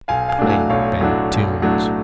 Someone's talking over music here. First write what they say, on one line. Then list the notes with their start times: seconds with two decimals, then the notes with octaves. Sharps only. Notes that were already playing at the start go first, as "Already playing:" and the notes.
It played bad tunes.
0.08 B1 F5 G#5
0.29 F5 G#5
0.39 A2 F#3 A3 D4
0.49 F5 G#5
0.70 B1 C#5 F5
1.01 A2 F#3 A3 D4
1.31 B1
1.62 A2 F#3 A3 D4